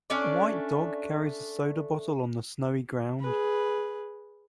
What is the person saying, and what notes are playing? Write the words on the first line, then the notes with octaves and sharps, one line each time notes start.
A white dog carries a soda bottle on the snowy ground.
A3 C#4 D4 D5
G#4 B4